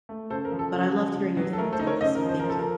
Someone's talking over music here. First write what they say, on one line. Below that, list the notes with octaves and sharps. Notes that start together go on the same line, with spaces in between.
But I loved hearing your thoughts on this, so thank you.
A3
C#3 A4 C5
A#4
F3
A4
C#3
F3
C#3
F#3
A4
A3 A#4
A4 C5
D#4
A#4 C#5
C#3 C5 D#5
A#4
F3
C5
F3 A#4
A4
A#4